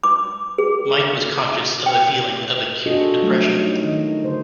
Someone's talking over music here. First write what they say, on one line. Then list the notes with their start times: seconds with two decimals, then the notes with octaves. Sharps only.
Mike was conscious of a feeling of acute depression.
0.04 D6
0.58 G#4
1.86 G5
2.86 D4 F4 F#4 G#4 A4 D#5
3.22 F#3 G3 A3
3.57 D#4
3.81 D#3 D#5
4.24 D3 C5